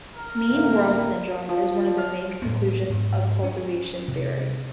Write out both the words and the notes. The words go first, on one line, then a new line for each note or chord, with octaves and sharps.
Mean world syndrome is one of the main conclusions of cultivation theory.
A#4
D2 A2 A#3
F3
F5
A2 G#3 A#3 B3
G#2
C#4
C3